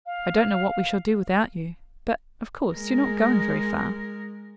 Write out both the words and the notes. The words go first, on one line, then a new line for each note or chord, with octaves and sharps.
"I don't know what we shall do without you. But, of course, you're not going very far?"
F5
G#3 A#4